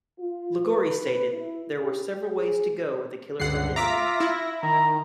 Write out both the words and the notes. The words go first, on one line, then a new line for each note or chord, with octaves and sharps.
Ligouri stated there were several ways to go with the killer's identity.
F4
B4
E4
G4
G#4
C#2 G2 D3 F#5 C7
F4 E5 A#5 D6 A#6 B6
E4
D#3 A#5